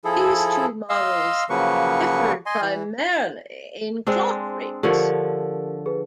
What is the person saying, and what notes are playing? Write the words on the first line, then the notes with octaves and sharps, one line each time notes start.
These two models differed primarily in clock rates.
F3 E4 G#4 A4
D#5 F5 C6 E6
C#3 F3 F#3 A#3 B4 C#6
D#5 G#5 C6
E3
G#3 C4 D4 C5
D3 F3 G4 A#4 C#5
G#4 B4